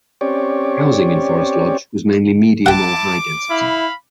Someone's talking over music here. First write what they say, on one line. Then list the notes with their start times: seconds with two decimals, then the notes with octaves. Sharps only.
Housing in Forest Lodge was mainly medium or high density.
0.21 C4 C#4 G4 C#5 D5
2.66 E4 F#5 G5 A5 D6
3.50 E4 F5 B5